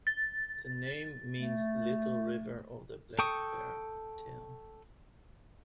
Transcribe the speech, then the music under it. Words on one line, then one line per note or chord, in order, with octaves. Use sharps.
The name means "little river of the black bear tail".
A6
A3
A4 G5 C#6 D#6